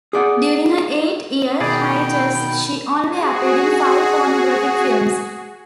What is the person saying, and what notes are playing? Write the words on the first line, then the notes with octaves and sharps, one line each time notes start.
During her eight-year hiatus she only appeared in five pornographic films.
G#4 D5 F#5
B2 D#3 G#4 D5 G5 B5
F#4 G#4